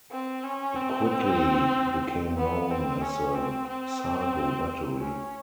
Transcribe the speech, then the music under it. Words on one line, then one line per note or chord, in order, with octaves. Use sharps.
It quickly became known as the "Sargo battery".
C4
C#4
C4
B3
C4
C#4
C4
C4
C#4